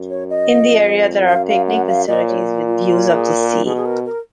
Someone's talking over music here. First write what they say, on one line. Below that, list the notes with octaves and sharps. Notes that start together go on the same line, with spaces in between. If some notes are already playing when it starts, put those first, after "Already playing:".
In the area, there are picnic facilities with views of the sea.
Already playing: F#2
C#5
D#5
F2
F#2 F5
F5
F#5
F5
A#2 D#5
C#5
F4
F4
G#4
A#4
B2 G#4
G#4
A#4
A#4